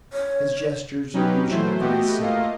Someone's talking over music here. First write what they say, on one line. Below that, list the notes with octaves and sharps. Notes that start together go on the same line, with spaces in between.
His gestures are usually very simple.
C#5
F#3 C#4 D#4 G4 B4
E3 F#3 A3 C5
A3 B3 F#4 G4 D#5
A3 A#3 F4 D#5 F5